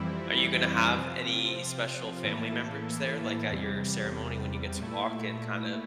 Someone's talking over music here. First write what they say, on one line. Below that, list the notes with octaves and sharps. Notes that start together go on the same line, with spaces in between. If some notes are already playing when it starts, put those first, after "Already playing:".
are you gonna have any special family members there, like, at your ceremony when you get to walk and kind of
Already playing: F2 E3 G3 C4 E4
C3 F3 C4 F4
A2 E3 A#3 E4 A4
E2 C3 G3
A#2 A3 E4